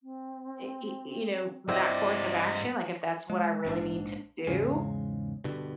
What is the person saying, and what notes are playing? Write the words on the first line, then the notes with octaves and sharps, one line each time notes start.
uh uh, it it you know, that course of action, like, if that's what I really need to do
C4
G2 C4 E4 F4 D5 D#5 F#5
G#3
A#1 G#2 C#4 D4
E2 G#2 C#3 G#3
G2 B2 D3